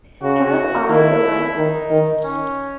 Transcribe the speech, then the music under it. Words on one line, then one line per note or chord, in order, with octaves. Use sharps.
Have I the Right?
C#3 F#4
D#3 E4
D#3 D#4
D#3
C#4